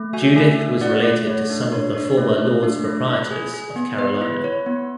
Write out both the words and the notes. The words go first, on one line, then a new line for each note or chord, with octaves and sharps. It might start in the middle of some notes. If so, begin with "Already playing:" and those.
Judith was related to some of the former lords proprietors of Carolina.
Already playing: A3
F#4 E5 G#5
A3 E5 G#5
D4
A3 D5 F#5
A3
A3 C#5
D4
D4 C#5
D4
A3
A3
D4
A3
E4
G#4
G#4
B3
B3 B4
E4
E4 C#5
B3